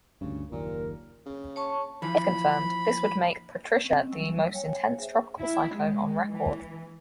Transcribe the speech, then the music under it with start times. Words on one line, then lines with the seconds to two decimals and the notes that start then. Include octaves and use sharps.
If confirmed, this would make Patricia the most intense tropical cyclone on record.
0.21 D2 G2 C#3
0.52 F#1 D#2 A#2 A#4
1.26 C#3
1.56 C#5 A5 C#6
2.02 E3 F3 B5
3.84 C4 C#4 D#5
4.11 F#3 G3 C#6 E6
4.53 C#5 F5 G5 G#5
4.99 G#4 C5 E5
5.39 E4
5.75 G#3
6.29 E3